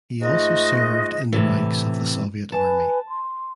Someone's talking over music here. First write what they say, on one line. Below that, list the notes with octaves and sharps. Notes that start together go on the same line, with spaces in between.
He also served in the ranks of the Soviet Army.
G#2 A3 F4 F#4 D#5
A2 C3 E3
B4 G#5 A5
C6